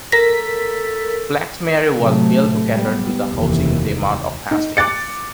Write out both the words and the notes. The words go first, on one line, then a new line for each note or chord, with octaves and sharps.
Flaxmere was built to cater to the housing demand of Hastings.
A4 A#4 A#6 B6
A2 C3 F#3 A3
G3 B3
F1 D#2 E3
D#4
D6 F#6 A6 C#7